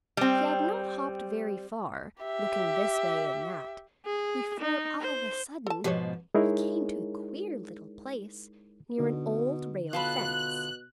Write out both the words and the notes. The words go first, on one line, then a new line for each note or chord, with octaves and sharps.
He had not hopped very far, looking this way and that, before, all of a sudden, he came to a queer little place, near an old rail fence.
G3 C4
G4 E5
G#4
D#4
C5
A4 A5
G#2 B2 F3 G4 B4 C#5
G#3 D#4 E4 G#4 A#4 C#5
B2 D3 D#4
B2 F4 A4 B5 F#6